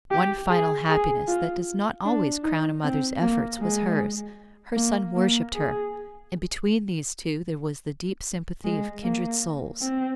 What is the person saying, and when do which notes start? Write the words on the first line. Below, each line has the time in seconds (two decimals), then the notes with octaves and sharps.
One final happiness that does not always crown a mother's efforts was hers--her son worshiped her; and between these two there was the deep sympathy of kindred souls.
0.11 G4
0.49 G#4
0.88 G#4
1.28 F4
2.05 D4
2.43 D#4
2.83 C4
3.22 A#3
3.60 G#3
4.76 A#3
5.15 A#3
5.54 G#4
8.64 G#3
9.03 A#3
9.81 C4